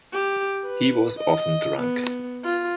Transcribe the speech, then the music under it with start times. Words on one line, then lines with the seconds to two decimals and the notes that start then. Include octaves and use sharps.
He was often drunk.
0.12 G4
0.66 B4
1.20 D#5
1.80 B3
2.45 F4